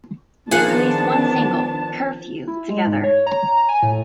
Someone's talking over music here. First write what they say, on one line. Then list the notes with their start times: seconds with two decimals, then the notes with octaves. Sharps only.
They released one single, "Curfew", together.
0.51 D#3 F3 B3 D4 G#4 F#5 A5
2.47 E4
2.70 G#3
2.87 G#2
3.04 C#5
3.27 A#5
3.68 G#5
3.83 A2